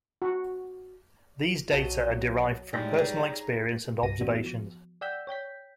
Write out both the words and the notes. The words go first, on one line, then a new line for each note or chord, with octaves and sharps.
These data are derived from personal experience and observations.
F#4
B1 F#3 D#5 A5
A2 G3 G#3 D#4 C#5
G#4 A#5
C2 G2 A#6 D#7
E3 B3 D4 F#4
F3
D5 F#5 G5 E6 G6 B6
C#5 G5 G6 B6